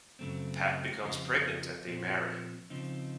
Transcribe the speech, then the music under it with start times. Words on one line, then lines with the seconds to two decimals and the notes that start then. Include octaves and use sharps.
Pat becomes pregnant and they marry.
0.19 F#2 C#3 F#3 A3 C4
1.03 F2 C#3 F3 C4 F4
1.86 A#2 F3 C4
2.70 C#3 F3 C4 D#4